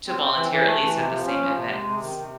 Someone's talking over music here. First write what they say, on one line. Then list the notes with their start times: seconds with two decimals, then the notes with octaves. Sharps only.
to volunteer, at least at the same events.
0.07 C4
0.22 C4
0.37 E3
0.52 E3
0.67 A3
0.82 E3
0.97 C3
1.11 F3
1.26 C#4
1.42 F3
1.56 C3
1.71 G#3
1.86 C3
2.01 D#3
2.16 C3